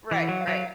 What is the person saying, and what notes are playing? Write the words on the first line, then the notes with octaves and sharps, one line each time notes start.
Right, right.
E3
F#5
F#3
F5
F#3